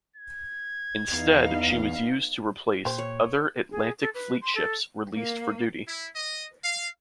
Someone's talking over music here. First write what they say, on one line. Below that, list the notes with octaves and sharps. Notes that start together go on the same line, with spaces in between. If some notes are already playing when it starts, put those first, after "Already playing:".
Instead, she was used to replace other Atlantic Fleet ships released for duty.
G#6
E2 B3 D#4 F5
A#2 G4 C5
C#5
G#4
A4
B4
C6
A4
A#3
E4
D#5
F5